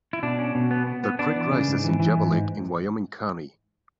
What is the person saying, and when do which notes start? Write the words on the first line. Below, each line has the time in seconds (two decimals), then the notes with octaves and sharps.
The creek rises in Java Lake in Wyoming County.
0.13 E4
0.23 B2 D4
0.39 C#4
0.55 B2
0.71 B3
0.87 B3
1.04 B3
1.19 B3 D4
1.35 E3
1.51 C#3
1.68 G#2
1.84 E3
2.00 E3
2.16 G#2
2.32 G#2